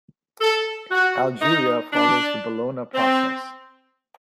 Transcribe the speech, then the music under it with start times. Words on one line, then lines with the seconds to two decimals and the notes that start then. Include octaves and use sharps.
Algeria follows the Bologna process.
0.41 A4
0.91 F#4
1.42 D#4
1.93 D4
2.95 C4